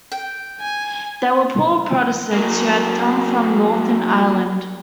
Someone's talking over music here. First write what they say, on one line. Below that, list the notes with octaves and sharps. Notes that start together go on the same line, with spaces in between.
They were poor Protestants who had come from northern Ireland.
G5
G#5
F#3 A#3